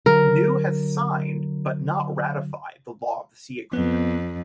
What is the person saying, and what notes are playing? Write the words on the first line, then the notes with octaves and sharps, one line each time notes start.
Niue has signed but not ratified the Law of the Sea agreement.
D3 F#3 A#4
F2 B3